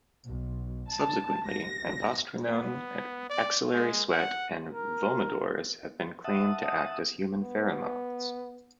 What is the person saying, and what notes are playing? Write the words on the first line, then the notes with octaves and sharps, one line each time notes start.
Subsequently, androstenone, axillary sweat, and "vomodors" have been claimed to act as human pheromones.
B1
A5
A#6
B3
D5
G#3
F#5
A#4
E5 F#5 A5 D#6
B3